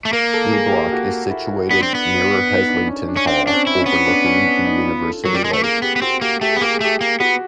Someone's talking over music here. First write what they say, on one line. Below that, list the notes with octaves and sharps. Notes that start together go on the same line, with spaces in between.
B Block is situated nearer Heslington Hall overlooking the University Lake.
A3
A#3 A#4
A4
G#4
G4
F#4
E4
B3 D4
C4
B3
D#4
D4
C#4
D4
C#4
C4 D4
C#4 D4
C4
E4
C#4
B3
D4
C#4
D4
D#4
F4
A4
F#3 A#4
G3
G#3 A4
A3
A#3 G#4
B3 G4
B3
C4 F#4
A#3 G4
A3 G4
B3 G#4
A#3 G4
G#4
A3 G4
A#3
B3 F#4